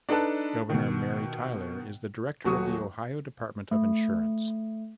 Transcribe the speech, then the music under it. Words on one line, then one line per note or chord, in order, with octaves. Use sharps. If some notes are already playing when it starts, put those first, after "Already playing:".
Governor Mary Taylor is the director of the Ohio Department of Insurance.
D4 D#4 A4 B4 A5
B2 D#3
D#1 F#3 F#4 C#6 D#6
A3